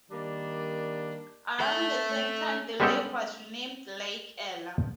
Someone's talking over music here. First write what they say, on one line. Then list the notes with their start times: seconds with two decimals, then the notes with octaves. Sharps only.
Around the same time the lake was renamed Lake Ella.
0.11 D#3 G3 A#3 D4
1.60 A4 E5
2.80 G3 G#3 B3 C#4 G4 A4